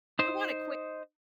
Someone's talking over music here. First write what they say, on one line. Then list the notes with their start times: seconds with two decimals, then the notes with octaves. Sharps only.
We want it quick
0.19 D#4 C5